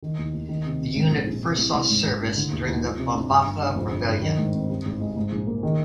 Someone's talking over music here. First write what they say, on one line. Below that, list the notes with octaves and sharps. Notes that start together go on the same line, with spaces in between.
The unit first saw service during the Bambatha Rebellion.
D#3
D#2
D#2
D#3
C3
C3
G#2
A#1
A#1
C3
C2
C2
G#2
G#1
D4
D3
D#2
D#2
F3
C3
D4
G2
G1
G1
F2
G1
G1
D#3
G#2
C4
G2
G#1
G#3
G#2
A#1
A#3
D#3